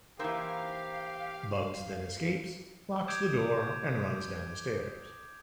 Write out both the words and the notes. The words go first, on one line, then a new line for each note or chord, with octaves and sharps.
Bugs then escapes, locks the door, and runs down the stairs.
E3 A#3 D#4 G4 C5 E5 F5
D6 D#6 G6 G#6 D7